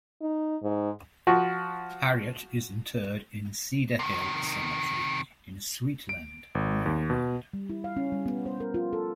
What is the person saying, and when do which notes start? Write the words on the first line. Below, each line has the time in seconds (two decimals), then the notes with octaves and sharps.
Harriet is interred in Cedar Hill Cemetery in Suitland, Maryland.
0.21 D#4
0.62 G#2
1.27 F3 F#4
3.99 C3 D#3
6.09 D7
6.55 G#1
6.86 D#2
7.10 B2
7.54 G3
7.70 E4
7.84 F5
7.97 C#4
8.12 G3
8.26 B3
8.46 C5
8.60 A#4
8.74 F4
8.93 A4